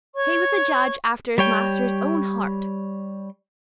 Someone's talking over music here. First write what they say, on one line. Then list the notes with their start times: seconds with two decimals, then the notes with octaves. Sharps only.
He was a judge after his master's own heart.
0.15 C#5 C#6
1.38 G3 C#5 G5